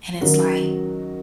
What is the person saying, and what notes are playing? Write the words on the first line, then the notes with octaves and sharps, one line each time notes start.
and it's like
D#3 F#3 C#4 F#4 A#4